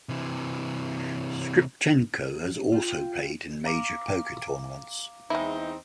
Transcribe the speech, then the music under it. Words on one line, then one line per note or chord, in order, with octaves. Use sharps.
Skripchenko has also played in major poker tournaments.
C3 E3
F4 G5
F5 A#5 D6
E2 G#3 C4 D#4 E4